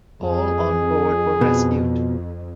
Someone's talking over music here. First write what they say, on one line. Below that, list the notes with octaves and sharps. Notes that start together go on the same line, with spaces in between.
All on board were rescued.
F2 G#4
B2